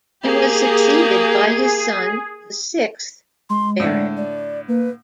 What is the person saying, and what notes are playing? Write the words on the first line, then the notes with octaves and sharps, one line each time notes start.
He was succeeded by his son, the sixth Baron.
A#3 G4 G#4
G#3 C6
A2 D3 D5
D5
A#3 B4